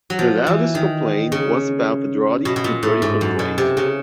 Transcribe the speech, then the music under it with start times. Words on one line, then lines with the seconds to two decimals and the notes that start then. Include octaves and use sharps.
The loudest complaint was about the draughty and dirty footplate.
0.10 F#3
0.19 F3
0.47 E3
0.75 D#3
1.32 C#3
2.45 B2
2.56 B2
2.64 A#2
2.83 A2
3.02 G#2
3.21 F#2
3.39 B2
3.58 C3
3.77 C#3